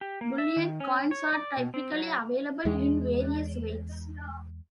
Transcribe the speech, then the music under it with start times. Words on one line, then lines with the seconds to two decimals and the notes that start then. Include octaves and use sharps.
Bullion coins are typically available in various weights.
0.01 G4
0.21 A#3
0.38 E5
0.56 D#3
0.80 C#4
1.11 C#5
1.33 D5
1.57 B2
1.74 C4
1.92 F#3
2.65 E2 G#3